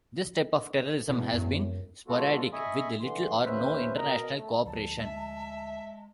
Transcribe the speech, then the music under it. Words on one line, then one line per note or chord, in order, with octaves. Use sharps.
This type of terrorism has been sporadic, with little or no international cooperation.
E2 B2
F#2
G#3 B3 F4 F#4 A4
D#5 E5 G#5 B5 C#6 D#6
D3 E3 C6
D#2 C#4 B4 C5 E5
B2 A#4 D#5 A#5
A3
D2 F3 A5
G#3 E5